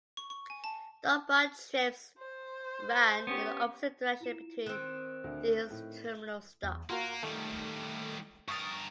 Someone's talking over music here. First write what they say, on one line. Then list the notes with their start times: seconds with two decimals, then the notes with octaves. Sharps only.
Northbound trips run in the opposite direction between these terminal stops.
0.17 C#6
0.30 C#6
0.50 G#5
0.64 A5
2.19 C5
3.27 B3 C#4 G4
4.20 E4 F4 E7
4.66 D#3 C4 F#6 D7
5.24 D2
5.71 A2
6.63 E2
6.90 A#3 F4 F#4 A#4
7.23 D#3 G3 A3
8.48 G2 A#4 C#6 D#6 A6